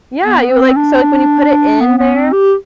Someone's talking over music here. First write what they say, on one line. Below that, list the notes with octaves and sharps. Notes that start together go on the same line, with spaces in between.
Yeah, you like, so, like, when you put it in there,
B3
C4
D4
B3
B3
C4
G4